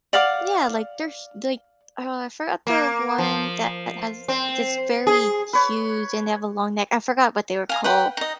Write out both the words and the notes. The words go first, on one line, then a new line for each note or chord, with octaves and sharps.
Yeah, like there's, like, uh, I forgot the one that has this very huge and they have a long neck, I forgot what they were called.
D5 F5 F#5 D6
A#3
F3
C4
G#4
B4 C#5
F5 G#5 A#5
B4 F#5 G5
D#4 D#5